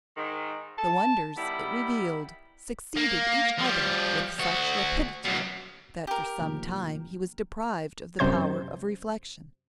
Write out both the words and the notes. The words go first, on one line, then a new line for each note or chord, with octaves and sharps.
The wonders it revealed succeeded each other with such rapidity that for some time he was deprived of the power of reflection.
G#2 D#3
A5
D#3 G3 B3 E4
A#3
F3 G3
D2 F#4
F#2 B2
G4 A#4
F1 A#1 D#2
F#2 C3 C5 G6